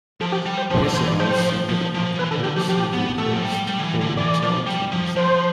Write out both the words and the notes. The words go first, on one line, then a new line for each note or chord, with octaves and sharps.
This allows single-occupancy vehicles to pay a toll to use them.
F3 A4
G4
G3
C5
F3 C5
D3 D5
E3 C5
D5
F3 C5
G3
F3
F3
F3
F3
E3 B4
D3 A4
D3 G4
F3 G4
F3 G4
B3
A3 A4
F3
G3
G3
D3
E3
D3
E3 D5
F3
G3
F3
F3 C5